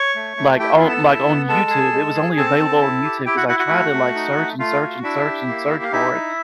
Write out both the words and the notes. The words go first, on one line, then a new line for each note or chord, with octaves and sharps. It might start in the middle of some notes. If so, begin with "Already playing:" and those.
like, on, like, on YouTube. It was only available on YouTube, 'cause I tried to, like, search, and search, and search, and search for it,
Already playing: C#5 C#6
A3
A3
E4 G4 G5
F4 F5
B3
A4 A5
E4
B3
G#3 A4 A5
G#4
G#3
G#4
C4 A4 A5
C4
E4
G4
E4 G4 G5
F#4 F#5
E4 F#4 F#5
F#4 F#5
A3
A3
D#4
A3
A3 F4 F5
F#4
D4 E4 E5
G4
A#3
G4
F5
D#4 E4 E5
D#4